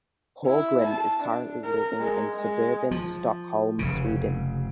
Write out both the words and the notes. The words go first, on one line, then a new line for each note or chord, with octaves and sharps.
Haugland is currently living in suburban Stockholm, Sweden.
E4
A5
D4
A#4
G#3
G#3
F3
F1 C#3